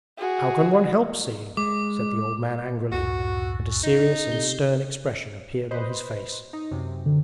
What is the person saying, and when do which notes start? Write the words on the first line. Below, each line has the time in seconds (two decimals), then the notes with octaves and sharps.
'How can one help seeing?' said the old man angrily, and a serious and stern expression appeared on his face.
0.17 F#4 G#4
1.57 G#3 D6
2.92 C#2 F#2 A2 F#4
3.83 D#4
4.32 C3 C4 G4
5.71 B4 C5 D#5
6.53 D#4
6.71 F#2 C3
7.06 D3